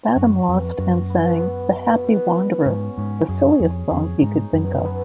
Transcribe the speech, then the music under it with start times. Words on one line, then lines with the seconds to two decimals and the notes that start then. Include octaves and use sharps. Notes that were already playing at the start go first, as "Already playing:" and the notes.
Badham lost and sang "The Happy Wanderer", the silliest song he could think of.
0.16 F#2 F#4
0.48 F2 B3
0.78 F#2 F#4
1.10 B3
1.41 B3
1.72 B2
2.04 B2
2.35 B2
2.66 G#2 C#4
2.97 G#2 C#4
3.29 F#2 G#4
3.60 F2 G#4
3.91 F2 G#4
4.21 G#2 D#4
4.53 F#2 B3
4.85 B3